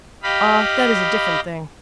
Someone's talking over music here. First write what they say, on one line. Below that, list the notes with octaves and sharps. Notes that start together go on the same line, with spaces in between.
"Ah, that is a different thing."
G4 D#5 F5 B5